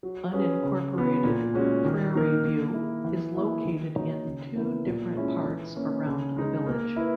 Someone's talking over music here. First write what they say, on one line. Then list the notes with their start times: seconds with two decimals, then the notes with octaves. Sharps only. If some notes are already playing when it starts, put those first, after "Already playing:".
Unincorporated Prairie View is located in two different parts around the village.
0.03 F#3
0.33 C#4 G#4 B4
0.63 C#3
0.93 F#3 B3
1.23 A#2
1.54 G#3 C#4 F#4
1.84 D#3
2.14 A#3 D#4 A#4
2.44 A#3
2.74 E4 G#4
3.04 E3
3.35 A#3 E4 G#4
3.65 D#3
3.95 A#3 D#4 F#4 C#5
4.25 C#3
4.55 E3 B3 E4 A#4
4.86 A#2
5.16 G#3 C#4 E4
5.45 E3
5.76 A#3 C#4
6.06 C#3
6.36 G#3 D#4
6.66 A#3
6.96 E4 B4